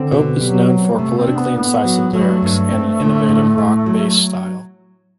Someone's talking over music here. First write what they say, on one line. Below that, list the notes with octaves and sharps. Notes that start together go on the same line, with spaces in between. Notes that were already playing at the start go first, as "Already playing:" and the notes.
Hope is known for politically incisive lyrics and an innovative rock-based style.
Already playing: D3 C4
B2
F#3 G3
C4
G3
C3 A3
C4
D4
B3
A2 B3
F#3
F#3 A3
G3
A3
G2
C4
D3
A2
A2
F#3